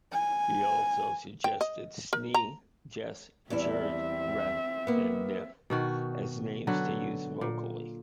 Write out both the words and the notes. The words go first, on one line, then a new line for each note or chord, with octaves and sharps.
He also suggested "snie", "jes", "jerd", "reff", and "niff" as names to use vocally.
G#5
G5
D#5
A#4
A#5
E2 G3 C4 E4 E5
A#3 B3
B2 D#3 F#4
D3 F#3 F#4 B4
A#2